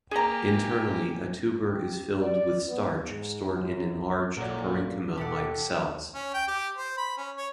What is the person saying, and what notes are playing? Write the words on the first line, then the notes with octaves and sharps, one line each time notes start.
Internally, a tuber is filled with starch stored in enlarged parenchyma like cells.
A#3 G4 G#4 G5 G#5 A#5
G4
D5
B3
G#2
F#2
A#1 A#2 F#3 A4 C#5 D5
B1 B2 G4 A4 D5 F#5 D6
C#4
G5
G4
C5
B5
C#4
C#5